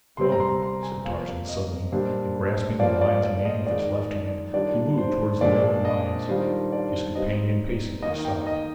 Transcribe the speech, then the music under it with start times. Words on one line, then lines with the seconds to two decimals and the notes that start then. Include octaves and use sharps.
"Come," said Tarzan suddenly and grasping the lion's mane with his left hand he moved toward the other lions, his companion pacing at his side.
0.17 C3 G3 C4 C6
0.32 A#5
0.40 C6
0.62 C6
0.83 G#5
1.05 F3 A#3 F4 F5
1.49 D#5
1.92 A#2 G3 D4 C5
2.79 F3 A#3 F4 D5
3.01 D5
3.23 D5
3.45 D#5
3.67 D#3 G#3 D#4 D5
4.10 D5
4.53 D#3 G3 D4 F4 D5
4.98 C5
5.41 A#2 F3 G#3 D4 D5
5.85 D#5
6.29 D#3 G3 D4 F4 C5
6.72 D5
7.15 G3 C4 D#4 D#5
8.02 D#3 A#3 D#4 D#5
8.25 G5
8.47 D#5